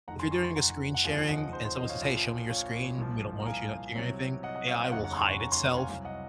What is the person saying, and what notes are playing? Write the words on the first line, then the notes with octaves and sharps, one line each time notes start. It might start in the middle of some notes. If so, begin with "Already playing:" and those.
if you're doing a screen sharing and someone says, "Hey, show me your screen," and, you don't want to so you don't share anything, the AI will hide itself,
F1 F2 D#3 F#5 A#5
G#5 C6
A#5 C#6
G#5 C6
F#5 A#5
F#5
D#2 C#3 F3 F5 G#5
D#5 F#5
C5
C5
C5 D#5
C#5 F5
A#1 A#2 F3
C#5 F5
C2 A#2 F3
A#5
F5 G#5
C2 C3 F#3
D#5 F#5
D#5 F#5
C#5 F5
C5
F1 D#2 C#3 F#3 D#5 F#5
F#5 A#5
G#5 C6
A#5 C#6
A#5 C#6
G#5 C6
F#5 A#5
F5 G#5
C2 C3 F#3 F5 G#5
D#5 F#5